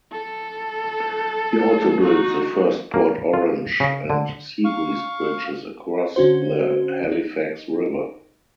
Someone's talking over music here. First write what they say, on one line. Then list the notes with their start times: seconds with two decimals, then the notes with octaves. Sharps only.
He also built the first Port Orange and Seabreeze bridges across the Halifax River.
0.12 A4
2.01 D#4 F#4
2.94 A#3
3.33 F4
3.80 C#3
4.10 D3
4.65 F5 C#6
6.16 D3 C#4 F#4 C5
7.12 D#4